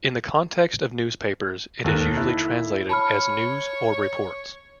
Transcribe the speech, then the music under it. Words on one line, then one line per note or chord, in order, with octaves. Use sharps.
In the context of newspapers it is usually translated as "news" or "reports".
D#2 A4 A#4 F#6
E4
C#5 A5 B5 F6